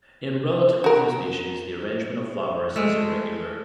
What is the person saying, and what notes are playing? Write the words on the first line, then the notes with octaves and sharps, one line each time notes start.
In relatively few species, the arrangement of flowers is irregular.
F#4 A#4
G#3 A3